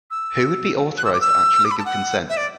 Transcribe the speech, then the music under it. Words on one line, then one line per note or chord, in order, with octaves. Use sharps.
Who would be authorized to actually give consent?
E6
F#6
E6
D6
E6
D6
B5
A5
F#5
E5
D5